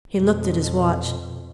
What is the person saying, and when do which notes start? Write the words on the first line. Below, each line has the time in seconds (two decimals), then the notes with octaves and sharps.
He looked at his watch.
0.16 F2 B2